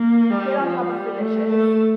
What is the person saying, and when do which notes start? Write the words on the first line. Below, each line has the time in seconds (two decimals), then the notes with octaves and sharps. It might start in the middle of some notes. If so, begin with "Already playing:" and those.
get on top of the dishes,
Already playing: A#3
0.30 G3
0.60 F3
0.89 G3
1.19 A3
1.48 A3